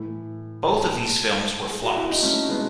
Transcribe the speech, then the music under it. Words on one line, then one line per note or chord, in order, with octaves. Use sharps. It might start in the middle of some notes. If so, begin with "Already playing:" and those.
Both of these films were flops.
Already playing: A2 E3
A4 C#5
G#4
F#4
E4
D#4
A3 C#4
G#3 B3